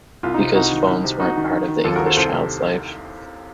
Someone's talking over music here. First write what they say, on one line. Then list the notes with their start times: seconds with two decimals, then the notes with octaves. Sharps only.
Because 'phones weren't part of the English child's life.
0.23 C2 F4
0.34 D#4
0.39 C3
0.55 C2 D#4 F#4
0.72 D#3
0.87 C2
1.04 C3
1.19 C2 D#4 F#4
1.37 D#3
1.52 D#3
1.68 D#3
1.84 D#2 F4 A4
1.96 D#2 F#4 A#4
2.06 A4 C5
2.17 C2 A4 C5
2.33 C3